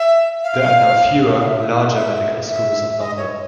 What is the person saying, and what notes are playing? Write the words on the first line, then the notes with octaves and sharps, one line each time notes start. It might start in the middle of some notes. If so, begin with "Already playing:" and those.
There are now fewer, larger medical schools in London.
Already playing: E5
F5
F5
E5
E5
E5
D#5
C#5